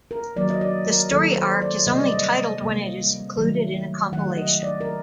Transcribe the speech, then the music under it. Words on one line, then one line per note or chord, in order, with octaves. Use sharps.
The story arc is only titled when it is included in a compilation.
A#4
D#3 F#3 A#3 D5
D#5
D5
A#4
D#3 F#3 A#3 A4
C5
D5
C3 G3 A#3 D#5
D5
D#5
C3 G3 A#3
D#3 F#3 A3
D#3 F#3 A3 F#5
D#5
D5
A#4